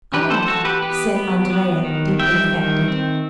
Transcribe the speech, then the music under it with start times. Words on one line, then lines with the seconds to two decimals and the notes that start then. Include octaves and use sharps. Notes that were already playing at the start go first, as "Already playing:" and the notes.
"Ah," said Andrea, deeply affected.
0.13 E3 G4 B4
0.30 A4 C5
0.47 E3 F#4 A4
0.65 G4 B4
0.82 B3 G4 B4
1.16 B3
1.50 B3
1.85 D#3
2.19 G3 E5 G5
2.54 D#3
2.88 C4